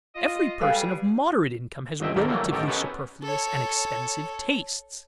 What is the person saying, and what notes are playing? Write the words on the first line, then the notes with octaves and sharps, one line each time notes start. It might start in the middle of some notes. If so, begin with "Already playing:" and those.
Every person of moderate income has relatively superfluous and expensive tastes.
F4 D#5
G3 G#4 A4 B4 F5
G1 C#2 D#5 E5 G5
A1 D#2 G3 A#3 A4 A#4
E3 F#3 G3 A3 A#3
A1 D#3 G4 A4 A#4
B3 C#4 D#4 G4 A4 B4
A4 C#5